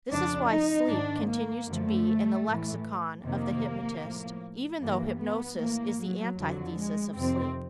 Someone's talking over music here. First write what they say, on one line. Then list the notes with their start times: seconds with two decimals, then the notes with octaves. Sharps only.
This is why "sleep" continues to be in the lexicon of the hypnotist even though hypnosis is the antithesis of sleep.
0.10 F2 C#3 F3 D4
0.49 D#4
0.89 G#2 D#3 D4
1.27 A#3
1.66 F#2 D3 F3 A3
2.45 A2 E3
3.23 F2 C3 D#3 A#3
4.02 A2 F3
4.81 G2 E3 A#3
5.20 B3
5.59 A2 E3 A#3
5.98 F#3
6.37 F2 D3 F3 F#3
6.76 G#3
7.15 F2 C3 D#3 C4